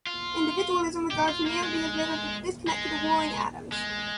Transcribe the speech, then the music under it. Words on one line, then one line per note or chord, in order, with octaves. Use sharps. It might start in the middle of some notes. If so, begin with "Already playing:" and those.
Individualism regards humanity as made up of disconnected or warring atoms.
F4
G4
F4
A#3
G#3
G#3
G#3